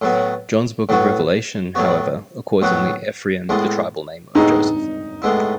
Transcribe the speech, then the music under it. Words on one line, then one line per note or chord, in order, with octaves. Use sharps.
John's Book of Revelation, however, accords only Ephraim the tribal name of Joseph.
A2 F#3 B3 F#4
A2 F#3 B3 F#4
A2 F#3 B3 F#4
A2 F#3 B3 F#4
A2 G#3 B3 E4
A2 G#3 B3 D#4 E4
A2 G#3 B3 E4